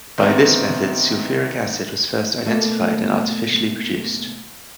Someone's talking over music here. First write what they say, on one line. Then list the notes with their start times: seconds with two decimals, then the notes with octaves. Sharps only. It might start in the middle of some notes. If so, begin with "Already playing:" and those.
By this method sulfuric acid was first identified and artificially produced.
0.18 D#3 E3 B3 C4 D4 F#4
2.45 B2 A3 A#3